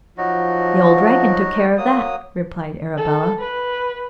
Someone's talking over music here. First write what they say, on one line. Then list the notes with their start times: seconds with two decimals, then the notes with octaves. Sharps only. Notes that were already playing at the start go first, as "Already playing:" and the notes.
"The old dragon took care of that," replied Arabella.
0.18 F3 F#3 D#4 F#4
1.78 F#3 A#3 D#6
2.97 A4
3.39 B4